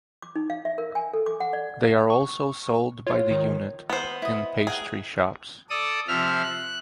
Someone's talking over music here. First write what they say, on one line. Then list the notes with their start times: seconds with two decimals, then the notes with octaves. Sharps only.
They are also sold by the unit in pastry shops.
0.22 D6
0.36 D#4
0.50 F5
0.65 E5
0.78 A#4
0.95 G#5
1.13 A4
1.26 D6
1.40 F#5
1.53 D5
2.10 C#6
3.07 F4 C#5
3.31 D#3
3.90 B3 C5
4.22 E4 D#5
4.67 G#4 A#4 F#5 G5
5.70 A4 D5 D#6
6.08 C3 F3 E5 F6
6.43 F#6